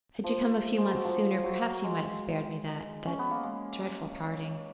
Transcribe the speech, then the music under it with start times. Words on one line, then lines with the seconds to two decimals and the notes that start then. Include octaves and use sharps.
Had you come a few months sooner perhaps you might have spared me that--that dreadful parting.
0.24 F3
0.78 G#3
0.91 F#3
1.04 F3
1.44 F#3
1.84 G#3
3.07 C#4
3.19 B3
3.31 A#3
3.43 G#3